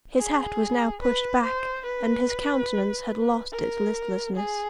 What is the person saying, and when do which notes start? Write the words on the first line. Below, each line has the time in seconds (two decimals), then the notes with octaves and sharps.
His hat was now pushed back, and his countenance had lost its listlessness.
0.19 G#4
1.02 B4
1.44 C5
1.86 B4
3.53 A#4
4.37 G#4